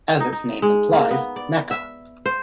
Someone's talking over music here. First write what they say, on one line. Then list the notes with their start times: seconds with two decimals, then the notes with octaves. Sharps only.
As its name implies, Mecha!
0.20 D#4
0.33 D#4
0.62 G#3
0.93 A#3
1.11 B3
1.36 D5
1.71 E5
2.26 C5